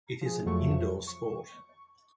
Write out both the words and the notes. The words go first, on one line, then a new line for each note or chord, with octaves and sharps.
It is an indoor sport.
F3 G#4
F2 F3 F#3 A3 C#6
C#6